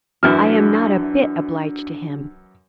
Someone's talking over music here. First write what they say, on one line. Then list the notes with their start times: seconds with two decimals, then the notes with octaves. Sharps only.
I am not a bit obliged to him.
0.23 F#2 E3 D4 E4 F#4 F6